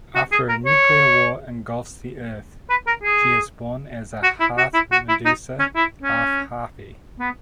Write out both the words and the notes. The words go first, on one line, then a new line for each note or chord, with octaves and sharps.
After a nuclear war engulfs the earth, she is born as a half-medusa half-harpy.
F#4
G#4
A#4
C#5
B4
A#4
G#4
F#4
E4
F#4
E4
F#4
E4
D#4
C#4
E4
C#4
B3